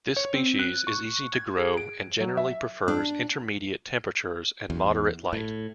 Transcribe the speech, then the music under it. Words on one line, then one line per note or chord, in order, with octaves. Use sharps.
This species is easy to grow and generally prefers intermediate temperatures and moderate light.
C#5
C4
F#6
C#6
G#6
G#4
D7
F#3
E5
D4
E2
A2